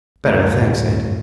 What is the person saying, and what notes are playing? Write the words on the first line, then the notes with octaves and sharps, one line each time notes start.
"Better, thanks, Ed."
D2 A2 F#4 F5 A5 A#5